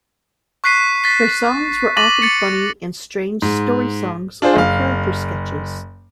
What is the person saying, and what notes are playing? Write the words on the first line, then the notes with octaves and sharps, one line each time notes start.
Their songs were often funny and strange story-songs or character sketches.
C#6 F#6 B6 C7 D#7
A6 B6
D6 A6 A#6 D#7 F#7
A6 C#7
G#2
D4 F4 G#4 C5
F#1 F5